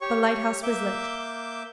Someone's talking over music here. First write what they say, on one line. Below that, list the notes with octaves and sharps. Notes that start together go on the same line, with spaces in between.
The lighthouse was lit.
G4 C#5 C#6
A#3 E5 D6 G6